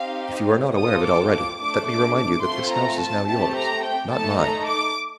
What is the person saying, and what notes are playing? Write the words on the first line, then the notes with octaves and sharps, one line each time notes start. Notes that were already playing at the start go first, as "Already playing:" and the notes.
If you are not aware of it already, let me remind you that this house is now yours; not mine.
Already playing: C4 D#4 G4 F5
C4 F4 A4 D#6
D6
D6
A3 D4 A4 D6
D6
D6
A3 C4 F4 A4 C6
A#5
A5
A3 C4 G4 A5
A#5
G5
A3 D#4 A4 A5
A#5
D6